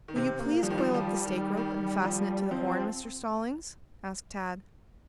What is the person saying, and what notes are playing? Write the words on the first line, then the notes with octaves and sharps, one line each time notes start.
"Will you please coil up the stake rope and fasten it to the horn, Mr. Stallings?" asked Tad.
D#3
C3 C4
A#3
F3 G3
D#3
F3
F3
D#3
D#3
F3
F3 C4